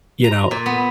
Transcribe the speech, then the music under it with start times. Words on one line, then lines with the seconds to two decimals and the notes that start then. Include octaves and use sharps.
you know,
0.24 A#5
0.51 A#2
0.66 B3